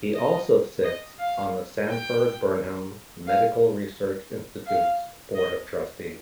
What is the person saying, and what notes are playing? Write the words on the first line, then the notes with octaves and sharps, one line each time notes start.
He also sits on the Sanford-Burnham Medical Research Institute's Board of Trustees.
D#5
D#5
F5
G5
F5
F5
D#5